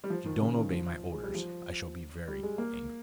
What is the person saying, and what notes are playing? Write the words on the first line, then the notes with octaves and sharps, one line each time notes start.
If you don't obey my orders I shall be very angry.'
G3
F3
D#3
C#3
D#3
F3
G#3
G3
F3
G3
G#3
A#3